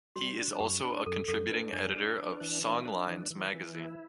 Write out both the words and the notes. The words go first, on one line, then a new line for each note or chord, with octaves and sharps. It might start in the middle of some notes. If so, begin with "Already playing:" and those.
He is also a contributing editor of "Songlines" magazine.
G3 F#4
D4
F#2 G4
D4
F#2 A4
F#2 A4
D4 B4
F#2 D4 D5
D4 C5
D4
B4
E3 C5
D4
D4 C5
E3
E3
E3
E4 C5